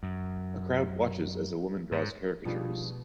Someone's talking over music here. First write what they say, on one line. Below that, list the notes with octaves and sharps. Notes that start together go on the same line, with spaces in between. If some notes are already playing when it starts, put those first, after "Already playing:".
A crowd watches as a woman draws caricatures.
F#2
G#2
B2 F3 G3 A3 D4 D#4 F4 G#4